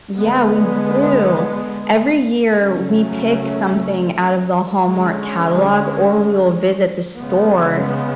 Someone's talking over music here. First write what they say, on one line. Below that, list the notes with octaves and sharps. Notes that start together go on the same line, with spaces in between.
Yeah, we do. Every year, we pick something out of the Hallmark catalog, or we will visit the store,
D3 G#3 B3
C#3 F#3 A3 C#4
D3 G#3 C#4
C#3 G#3 B3